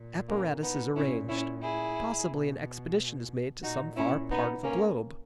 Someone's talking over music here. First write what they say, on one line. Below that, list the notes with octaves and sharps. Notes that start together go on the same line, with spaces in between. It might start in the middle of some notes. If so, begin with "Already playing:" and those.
Apparatus is arranged; possibly an expedition is made to some far part of the globe.
Already playing: A#2
A#3 C#4
B3 D#4
A#2 C#4 E4
C#4 E4
E4 G#4
B2
A#2 D#4 F#4
C#4 E4
B3 D#4
A#3 C#4